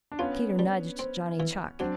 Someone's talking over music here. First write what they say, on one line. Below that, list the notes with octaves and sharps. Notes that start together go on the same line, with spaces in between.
Peter nudged Johnny Chuck.
D4
B3 C#4 F4
G3
C4
E3
F#3 C4 D4